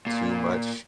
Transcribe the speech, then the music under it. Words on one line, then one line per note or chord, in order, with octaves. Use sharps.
too much.
A#2